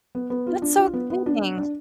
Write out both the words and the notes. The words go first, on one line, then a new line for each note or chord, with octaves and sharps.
That's so exciting. I
B3
B3
F4
D4
F4
B3
B3
D4
D4
D4